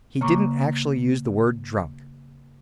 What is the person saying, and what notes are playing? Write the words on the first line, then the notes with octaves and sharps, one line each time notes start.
He didn't actually use the word 'drunk.'...
C#3 A#3 A#5 C#6 D6